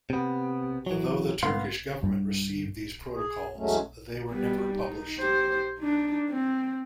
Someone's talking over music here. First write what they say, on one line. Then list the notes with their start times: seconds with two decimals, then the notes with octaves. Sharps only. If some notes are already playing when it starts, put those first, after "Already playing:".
Though the Turkish government received these protocols, they were never published.
0.10 C3 B3
0.86 E3 F#3
1.43 C2 G#2 B3 F5 C6
2.03 G2
3.14 G#4
3.57 E2 F#3 G#3 A3 C#4
4.29 G3 B3
4.74 D#4
5.19 G4 C5
5.78 D4 D#4
6.29 C4